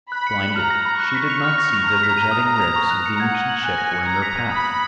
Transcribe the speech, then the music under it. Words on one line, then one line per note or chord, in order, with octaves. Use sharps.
Blinded, she did not see that the jutting ribs of the ancient ship were in her path.
B5 F#6
C#7
F#7
A#5 F6
A#6
B5
C#6 F#6
B6
F7
F6
A#6
F7
A#5 F6
B6
D#7
D#6
A#6
F7
C#6
F#6
C#7
F#5 G#6
D#7
F#7
G#5 F#6
A#6
C#7
A#5 G#6
B6
D#7
B5 D#6
F#6